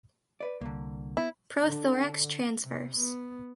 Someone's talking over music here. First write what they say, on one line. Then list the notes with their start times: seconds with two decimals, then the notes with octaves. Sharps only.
Prothorax transverse.
0.40 B4 D5
0.61 C2 D3 A#3
1.17 B3 E4
1.61 D3
2.64 C3
2.96 B3